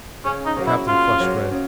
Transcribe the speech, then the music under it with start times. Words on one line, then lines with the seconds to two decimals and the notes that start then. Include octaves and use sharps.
The captain flushed red.
0.25 C#3 C#4
0.46 D#4
0.57 F#3 A#3 C#4
0.67 E4
0.88 C#3 F4
1.20 F#3 A#3 C#4
1.51 C#3